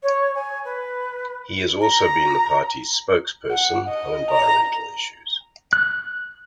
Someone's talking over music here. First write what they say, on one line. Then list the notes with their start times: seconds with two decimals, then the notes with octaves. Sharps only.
He has also been the party's spokesperson on environmental issues.
0.02 C#5
0.35 G#5
0.64 B4
1.81 A#5
3.51 F#5
3.88 D#5
4.31 A#5
5.73 F#6